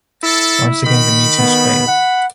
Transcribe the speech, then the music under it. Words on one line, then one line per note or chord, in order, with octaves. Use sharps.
Once again the missions failed.
E4 A4
D#3 B5
B3
F#5